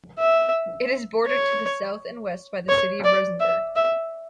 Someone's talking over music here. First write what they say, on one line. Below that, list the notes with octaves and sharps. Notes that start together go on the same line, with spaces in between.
It is bordered to the south and west by the city of Rosenberg.
E5
C#5
C#5
D5
E5
E5